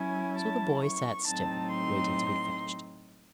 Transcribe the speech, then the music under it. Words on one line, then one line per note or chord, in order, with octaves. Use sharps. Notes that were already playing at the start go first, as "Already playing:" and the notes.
So the boy sat still, waiting to be fetched.
Already playing: F#3 C#4 E4 G#5
A5
C#6
A2 F#3 C4 D#4 A5
C6